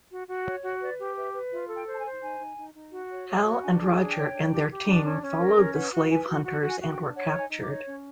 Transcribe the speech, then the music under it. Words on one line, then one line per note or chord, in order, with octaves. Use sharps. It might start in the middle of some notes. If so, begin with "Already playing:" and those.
Hal and Roger and their team followed the slave hunters and were captured.
F#4
F#4
C#5
F#4
B4 D5
G4
B4 E5
B4
F4 E5
A4
G5
C5
A5
G#5
C5
D#4 G#5
D#4
D#4
D#4
F#4
C#5
C#5
F#4
D4 G#5
G#4
G5
D4
G5
C#5
D4
G4
G4
D4
C#4
C#4
A#4
C#4
B4 F#5
F#4
B4 G#5
F#4
F#4
F#4
G#5
F#4
G5
D4
C#5 F#5
D#4
G#5
D#4
D6
C#5
C#4